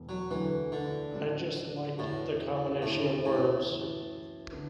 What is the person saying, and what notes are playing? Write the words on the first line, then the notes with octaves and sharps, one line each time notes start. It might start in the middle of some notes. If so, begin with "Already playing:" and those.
I just liked the combination of words...
Already playing: E1 E2 E3
F#3
D2 D3 E3 A3 D4
D3
A1 A2 F#3 D4
E2 A2 E3 B3 F#4
D2 A2 D3 B3 E4
A2
F#2 E3 B3 F#4
D3 B3